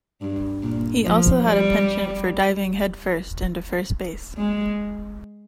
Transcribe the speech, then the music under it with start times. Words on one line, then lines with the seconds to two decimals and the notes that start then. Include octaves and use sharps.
He also had a penchant for diving headfirst into first base.
0.22 G2
0.63 A#2
1.05 F3
1.46 G3
4.37 G#3